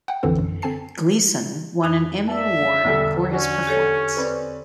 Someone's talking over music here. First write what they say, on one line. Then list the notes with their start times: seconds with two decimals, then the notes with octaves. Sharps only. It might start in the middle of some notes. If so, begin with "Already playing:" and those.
Gleeson won an Emmy Award for his performance.
0.08 F#5 G5
0.23 A#1 F2 D3 E3 C4 A4
0.39 F#2
0.62 D3 C4 G#5 A5 C7
1.83 F2 D#4 F#6
2.28 D5 E5 A5
2.84 B1 E2 D3 G3 A4
3.32 C#4 D4 F#4
3.67 G4 A4 C#5
4.17 C4 B4 D5